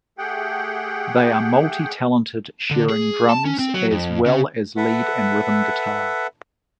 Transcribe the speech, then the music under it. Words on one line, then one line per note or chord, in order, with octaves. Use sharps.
They are multi-talented, sharing drums as well as lead and rhythm guitar.
A3 G4 G#4 F#5 G5
D3
G#4
A5
C#4
C4
F#3
F2
C#3
A4 B4 E5 F#5